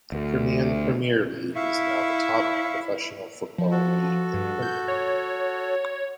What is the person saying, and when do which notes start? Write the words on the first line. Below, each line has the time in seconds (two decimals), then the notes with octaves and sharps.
The Crimean Premier League is now the top professional football league in Crimea.
0.12 D2
1.56 E4 E5 F5 C#6
3.58 F3
3.71 F#4 A4
4.34 G2
4.62 G6
4.88 C#5